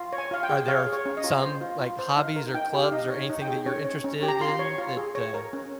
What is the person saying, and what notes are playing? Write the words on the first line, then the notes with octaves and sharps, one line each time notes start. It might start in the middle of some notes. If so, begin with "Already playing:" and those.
Are there s some, like, hobbies or clubs or anything that you're interested in that, uh
Already playing: F4
C#5
G#5
F4 F5
G5
G#4
C#5 F5
G#4
C#5
C#4
D#5
F4
C5
F4
F4
C5
D#4 F5
A#4
D#4 G5
G4
F5
D#4 D#5
C#5
D#4
G5
G#4
C#4 C#5
C#5
C#4
G4
A#5
F4 C6
C#5
F4
G#4
C#5
A#4
C#4